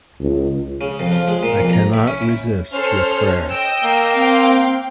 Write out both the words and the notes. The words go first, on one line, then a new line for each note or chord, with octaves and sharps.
I cannot resist your prayer.
C#2
C#3
F2
F3
G#3
A#2
F2
A#5
E4
C#4
E4
C#4 A4 C5 F6
D#5 G5 E6
A#3
C4 F5 G5